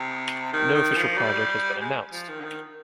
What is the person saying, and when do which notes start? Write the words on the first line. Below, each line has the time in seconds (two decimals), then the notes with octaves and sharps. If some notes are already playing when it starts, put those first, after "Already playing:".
No official project has been announced.
Already playing: C3
0.53 D#3
0.74 D#3
0.96 F3
1.17 G3
1.81 G#3
2.12 F3
2.28 D#3
2.40 D3
2.44 D#3